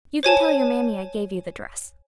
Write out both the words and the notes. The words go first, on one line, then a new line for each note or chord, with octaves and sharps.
You can tell your mammy I gave you the dress.
C5 C#5 G#5 A5